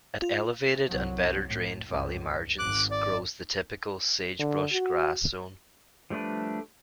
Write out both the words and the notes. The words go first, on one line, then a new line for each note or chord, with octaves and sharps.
At elevated and better-drained valley margins grows the typical sagebrush-grass zone.
F4
C2 F#3
A2
C#2 G2
G#1 D6 F#6
D5
D3
F#4
F3 G3 A3 D4 B4